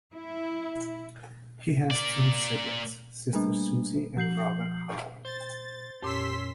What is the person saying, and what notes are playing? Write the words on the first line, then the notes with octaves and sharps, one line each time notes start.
He has two siblings: sister Susie and brother Howard.
E4
A#3 D5
G3 A3 A#3 D4
F3 G6 C7 F#7
C5 A6
F2 A#2 C#4 G4 C6 E6 B6